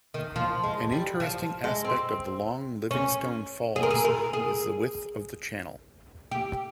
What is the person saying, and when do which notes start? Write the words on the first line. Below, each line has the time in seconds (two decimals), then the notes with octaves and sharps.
An interesting aspect of the long Livingstone Falls is the width of the channel.
0.14 D#3
0.36 F3
0.64 G#3
0.92 G3
1.20 F3
1.64 G#3
1.85 C4
2.91 C#4
3.76 G#4
3.83 A#4
3.91 G#4
4.05 A#4
4.33 G#4
6.31 G4